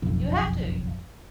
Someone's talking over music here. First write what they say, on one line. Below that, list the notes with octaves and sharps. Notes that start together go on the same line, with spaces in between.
You have to.
F#1 B1 F2